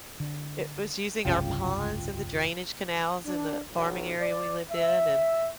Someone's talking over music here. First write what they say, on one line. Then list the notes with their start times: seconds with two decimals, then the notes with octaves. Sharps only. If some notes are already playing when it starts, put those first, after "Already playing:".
It was using our ponds and the drainage canals in the farming area we lived in, and
0.20 D3
1.25 F1 C2 G2 C#3 F4 G5
3.25 D4
3.71 B1
4.19 D5
4.71 E5